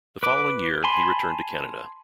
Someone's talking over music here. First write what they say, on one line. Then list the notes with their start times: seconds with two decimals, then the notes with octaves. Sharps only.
The following year he returned to Canada.
0.23 B4 D6
0.84 G#5 A5 B5 C6